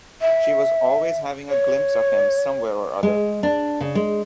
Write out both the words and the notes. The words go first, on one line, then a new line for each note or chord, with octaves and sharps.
She was always having a glimpse of him somewhere or other.
E5
C#5
G#3
D4
C#3
G#3